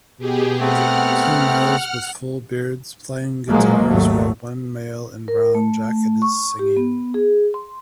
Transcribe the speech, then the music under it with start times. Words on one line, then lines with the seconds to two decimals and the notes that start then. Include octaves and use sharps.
Two males with full beards playing guitars while one male in brown jacket is singing.
0.18 B2 G4 G#4
0.60 A3 B3 C4 F#5 F6
3.48 A#2 F3 F#3 G#3 A#3
3.85 G#1 D#2 F#3 A3
5.28 A#4
5.55 A3
6.22 C#6
6.59 G4
6.77 B3
7.14 G#4
7.54 C6